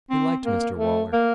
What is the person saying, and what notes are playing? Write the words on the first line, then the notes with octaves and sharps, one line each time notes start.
He liked Mr Waller.
C4
A#3
A3
A#3